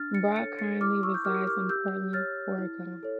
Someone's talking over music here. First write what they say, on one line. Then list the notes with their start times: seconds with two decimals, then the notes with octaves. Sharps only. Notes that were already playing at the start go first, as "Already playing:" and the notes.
Brock currently resides in Portland, Oregon.
Already playing: D4 F6 A6
0.15 A6 C#7
0.36 A4 C#5 A6 C#7
0.59 A6 C#7
0.81 E4 D6 F6
1.03 C#6 E6
1.14 G6
1.25 G4 A#4 D6 F6
1.47 D6 F6
1.69 G4 E6 G6
2.13 C#5 F6 A6
2.58 E4
3.03 A4 C#5